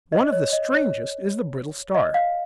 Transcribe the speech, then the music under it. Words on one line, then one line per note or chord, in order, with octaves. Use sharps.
One of the strangest is the Brittle Star.
D#5
C#5
D#5
C#5
D#5
F5